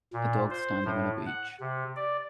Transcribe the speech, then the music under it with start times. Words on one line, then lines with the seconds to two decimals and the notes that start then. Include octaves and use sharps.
A dog standing on a beach.
0.13 A#2
0.50 C5
0.85 A2
1.26 F#5
1.60 C3
1.96 D5